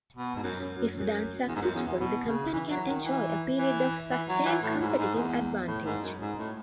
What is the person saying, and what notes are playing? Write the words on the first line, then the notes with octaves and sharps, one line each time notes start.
If done successfully, the company can enjoy a period of sustained competitive advantage.
B2
G#2
F#2
F#2
F#2
F#2
E2
G#2
F#2
E2
E2
B2
C#3
E3
F#3
D#3
E3
E3
E3
F#3
E3
A2
G#2
G#2
E2
A2
G#2
F#2
G#2
A2